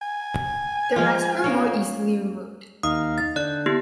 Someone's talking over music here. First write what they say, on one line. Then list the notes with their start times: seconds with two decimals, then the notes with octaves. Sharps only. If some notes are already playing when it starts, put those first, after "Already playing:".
The rest were more easily removed.
0.02 G#5
0.96 F3 G#3 F4
1.44 A#3 C#4
2.83 D#2 D#4 F5 D#6
3.18 A6
3.36 D3 D5 F#6
3.66 B3 E4 G4